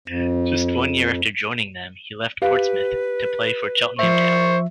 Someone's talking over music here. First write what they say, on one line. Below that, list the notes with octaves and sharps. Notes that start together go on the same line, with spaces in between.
Just one year after joining them, he left Portsmouth to play for Cheltenham Town.
F2
G4 B4 F5
F3 C5 E5 C#6